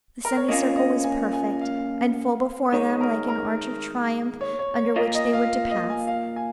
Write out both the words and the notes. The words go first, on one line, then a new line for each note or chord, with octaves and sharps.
The semicircle was perfect, and full before them, like an arch of triumph under which they were to pass.
A#4
C#5
A#2 A#3 C#4 F4 D#5
D#5
G#5
G#5
F5
D#3 G#3 D#4 C#5
A#4
A#4
C#5
C#5
C#5
A#2 A#3 F4 D#5
D#5
F5
D#5
G#5
F5
G#5